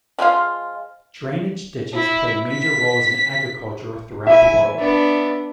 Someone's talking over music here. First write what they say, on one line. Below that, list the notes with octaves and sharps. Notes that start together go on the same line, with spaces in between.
Drainage ditches play major roles in agriculture throughout the world.
F3 G#3 F4 F5
E4
B6
E4 E5 G#5
B3 D4